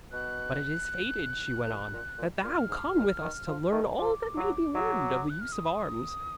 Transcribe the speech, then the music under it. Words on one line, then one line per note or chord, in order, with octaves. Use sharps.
But it is fated,' she went on, 'that thou come with us to learn all that may be learned of the use of arms.
B2 F#6
A#2
A#2
A#2
A#2 F6
G#2
A#2
D#3
F3
D#3
F3 D6
F#3
F#3
F#6
F6
D#6